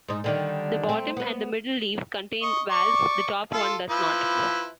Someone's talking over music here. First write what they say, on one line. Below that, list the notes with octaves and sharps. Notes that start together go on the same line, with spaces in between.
The bottom and the middle leaves contain valves, the top one does not.
G#2 D#4
D3 D#3 G3
A3 C4
B3 B4
D#5 C#6
D5 C#6
F4 A4
F3 E4 B4